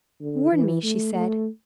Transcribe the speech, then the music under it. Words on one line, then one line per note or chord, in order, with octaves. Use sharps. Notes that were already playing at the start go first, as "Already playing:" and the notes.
"Warn me?" she said.
D3
E3
A3
A3